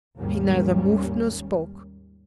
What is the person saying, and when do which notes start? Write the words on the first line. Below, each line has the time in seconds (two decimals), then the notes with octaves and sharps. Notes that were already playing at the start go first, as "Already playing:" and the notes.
He neither moved nor spoke.
0.17 D#2 G#2 G3 A#3 C#4